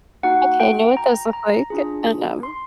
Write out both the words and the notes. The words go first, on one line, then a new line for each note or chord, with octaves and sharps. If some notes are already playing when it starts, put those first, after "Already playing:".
Okay, I know what those look like and, um
A#3 D#4 F#4 F#5
G5
A#5
A#5
D4 F4 G#4
C6